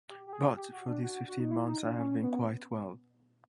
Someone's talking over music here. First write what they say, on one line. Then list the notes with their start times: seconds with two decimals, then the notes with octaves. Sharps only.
But for these fifteen months I have been quite well.
0.10 G4
0.27 G4
0.33 G#4
0.57 G4
0.72 F#4
0.88 D4
1.03 F#4
1.28 F#4
1.40 D#4
1.51 E4
1.66 D#4
1.82 D4
1.98 C#4
2.22 B3